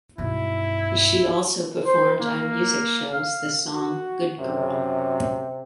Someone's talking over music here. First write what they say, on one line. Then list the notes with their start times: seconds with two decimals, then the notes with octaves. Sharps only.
She also performed on music shows the song Good Girl.
0.18 B1 G2 E4
1.85 C5
2.20 A#3
3.10 F5
3.74 F#4
4.39 F#2 C3